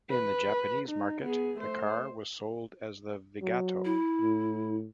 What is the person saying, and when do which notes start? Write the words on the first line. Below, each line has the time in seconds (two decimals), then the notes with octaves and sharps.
In the Japanese market, the car was sold as the Vigato.
0.10 B4
0.88 D#4
1.23 B3 G#4
1.58 A3 C5
3.42 F#3
3.85 E4
4.21 A2